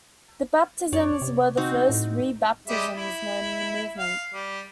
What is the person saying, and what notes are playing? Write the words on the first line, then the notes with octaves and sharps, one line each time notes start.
These baptisms were the first "re-baptisms" known in the movement.
F#2 C#5 D5
C3
C4 D#4 F#4
A2
G3 G#3 E5
E4
F5
G3